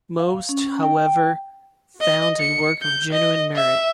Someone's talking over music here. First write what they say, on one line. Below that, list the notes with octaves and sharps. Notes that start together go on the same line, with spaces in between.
Most, however, found a work of "genuine merit".
F5
C#4
G5
D#5
C#7
G6
D#5
E5